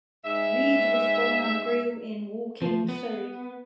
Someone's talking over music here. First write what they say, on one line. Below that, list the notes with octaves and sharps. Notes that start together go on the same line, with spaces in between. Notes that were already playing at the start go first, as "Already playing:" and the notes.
Reed was born and grew in Woking, Surrey.
G#2 E5
F3
B3